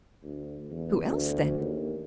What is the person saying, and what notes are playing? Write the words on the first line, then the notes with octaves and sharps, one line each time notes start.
"Who else, then?"
D2
E2
D2
D#2